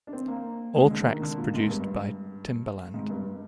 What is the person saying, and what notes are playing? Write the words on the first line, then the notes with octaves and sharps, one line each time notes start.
All tracks produced by Timbaland.
D4
C4
A#3
G#3
D3
D#3
D3
A#2
G#2
G2
G#2
G2